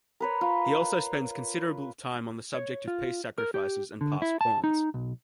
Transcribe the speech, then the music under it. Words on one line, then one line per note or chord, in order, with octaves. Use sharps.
He also spends considerable time on the subject of piece sacrifices and passed pawns.
A#4 B4 C#5
F4
C#5
F4
A#4
G4
D3
E4
A5
D#4
B1